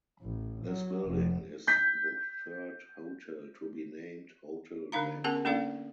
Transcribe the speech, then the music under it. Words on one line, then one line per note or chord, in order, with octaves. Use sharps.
This building is the third hotel to be named "Hotel Vancouver".
A1
F#3
F1
G6 B6
D3 D4 D#4 F5 A#5
B3 C#4 G#4 A#4 F#5 A5
A#3 C#4 D4 A4 D5 F5